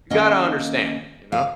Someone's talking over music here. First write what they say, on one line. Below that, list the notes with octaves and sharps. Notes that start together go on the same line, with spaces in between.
you gotta understand," you know?
D#3 A#3 C#4 D#5
F5